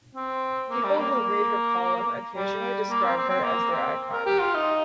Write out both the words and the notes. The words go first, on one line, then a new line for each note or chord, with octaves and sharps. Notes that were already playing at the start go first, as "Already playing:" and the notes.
People who read her column occasionally describe her as their icon.
C4
A#3
G3
A#3
A#3
G3
A#3
C4
C4
C4
A#3
C4
A#4
G4
F4
D#4